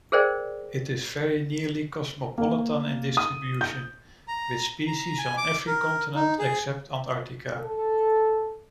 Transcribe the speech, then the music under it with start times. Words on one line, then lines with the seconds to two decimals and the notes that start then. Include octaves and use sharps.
It is very nearly cosmopolitan in distribution, with species on every continent except Antarctica.
0.12 G#4 A#4 C5 D5 G5
2.38 A#3
3.17 D#6
3.61 G6
4.28 A#5
4.87 A#5
5.18 G#5
5.37 D6
5.67 A#4
6.15 D#4
6.39 G#4
7.60 A4